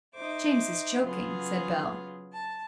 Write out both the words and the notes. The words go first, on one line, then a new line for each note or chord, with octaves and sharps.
"James is joking," said Bell.
D#4 C5 E5 D6
C#3 F#3 B3 F4 G#4
A5